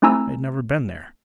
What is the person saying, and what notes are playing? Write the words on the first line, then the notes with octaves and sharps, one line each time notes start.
I had never been there.
A3 C4 E4 G#5 A#5 E6